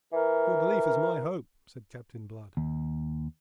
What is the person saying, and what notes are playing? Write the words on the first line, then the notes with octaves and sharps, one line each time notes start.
"Your belief is my hope," said Captain Blood.
E3 A#4
D#2